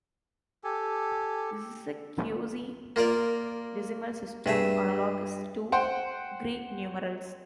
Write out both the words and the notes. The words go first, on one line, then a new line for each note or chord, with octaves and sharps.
This is a quasi-decimal system analogous to Greek numerals.
G4 A4 G#5
A#3 F4 A#4 D5
G2 G#4 E5
C5 F#5 G5 C6